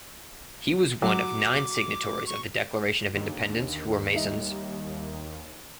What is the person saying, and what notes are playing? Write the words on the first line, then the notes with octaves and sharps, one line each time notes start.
He was one of nine signatories of the Declaration of Independence who were masons.
F#3 D6
C#6
D#2 D3
G3 D#4 E5